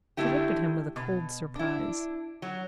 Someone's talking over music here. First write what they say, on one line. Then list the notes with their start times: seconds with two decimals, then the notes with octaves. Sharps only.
She looked at him with a cold surprise.
0.17 D3 A3 E4 G4
0.96 B2
1.56 D4 E4
2.42 F#3